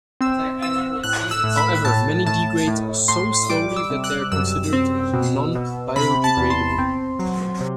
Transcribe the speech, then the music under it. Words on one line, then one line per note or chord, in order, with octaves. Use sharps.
However, many degrade so slowly that they are considered non-biodegradable.
C4 E6
C4 E6
A2 F#6
E6
A2
B5
A2 A5
A2 A5
A2
A2 C6
G3 D6
E6
C3
F#6
F#2 E6
C4
B2
B2
C3 B5
A5
E2
C6
C4
F#3
C3